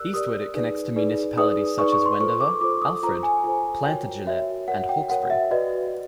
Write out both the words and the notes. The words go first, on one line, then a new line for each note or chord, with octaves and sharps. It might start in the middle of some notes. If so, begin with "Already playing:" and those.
Eastward it connects to municipalities such as Wendover, Alfred, Plantagenet and Hawkesbury.
Already playing: G4 A#4 D5 E6 F#6
G4 A#4 D5 D#6
D#4 G#4 B4 D5
D#4 G#4 B4 D5
D#4 G#4 B4 D5 D#6
D#4 G#4 B4 D5 C#6
C#6
C6
F4 A4 C5 C#6
D6
F4 A4 C5 D6
D#6
F4 A4 C5 A#5
G#5
F4 A4 C5 G#5
F#4 A#4 C#5 G5
F#4 A#4 C#5 E5
F#4 A#4 C#5 F#5
G5
F#4 A#4 C#5 F#5
E5
F#4 B4 D5 D#5